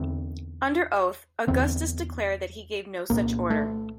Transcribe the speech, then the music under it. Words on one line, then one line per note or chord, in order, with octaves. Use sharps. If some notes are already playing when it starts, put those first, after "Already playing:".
Under oath, Augustus declared that he gave no such order.
Already playing: E2 D3 C4
E2 D3 C4
C2 A#2 A#3
A3